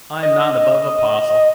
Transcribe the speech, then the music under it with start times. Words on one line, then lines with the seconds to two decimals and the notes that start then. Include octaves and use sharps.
'I am not above a parcel.'
0.23 D#5